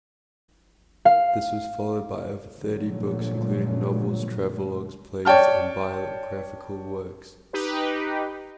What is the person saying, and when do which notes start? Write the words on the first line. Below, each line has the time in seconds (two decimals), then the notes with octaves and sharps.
This was followed by over thirty books including novels, travelogues, plays and biographical works.
1.05 F5
2.58 A#2 D3 F3 F#3 G#3 A3
5.25 C#5 D5 G5 A5 F6
7.53 D#4 G4 B4